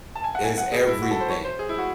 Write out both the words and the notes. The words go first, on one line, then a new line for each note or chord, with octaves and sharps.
It's everything.
A5
G#5
F#5
G#5
F#5
G#4
E4
F#4
A4
C5
C#5
C5
G#4
E4
F#4